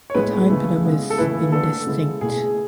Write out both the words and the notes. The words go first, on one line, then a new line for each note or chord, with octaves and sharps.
The tympanum is indistinct.
C#5
A2 G#3 B3 B4
C#3 E3 A3
C#3 G#3 B3 E4
A4
C#3 E3 A3 E4 B4
D3 A3 D4 A4
C#3 G#3 B3 E4
B2 A3 E4 G#4